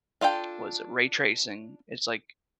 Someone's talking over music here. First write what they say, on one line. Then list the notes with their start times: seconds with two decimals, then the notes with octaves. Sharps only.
was it ray tracing? It's like
0.21 D4 F4 A4 G5